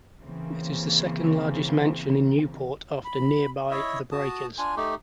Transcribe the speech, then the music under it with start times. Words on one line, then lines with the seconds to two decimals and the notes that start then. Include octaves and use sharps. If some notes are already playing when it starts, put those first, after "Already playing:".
It is the second largest mansion in Newport after nearby The Breakers.
0.21 C#3 E3 A#3 C4
3.05 B5
3.71 E4 C#5 D#5 E5
4.12 F#4 A5 D#6
4.58 D4 F4 G#5
4.77 A3 D#4 G4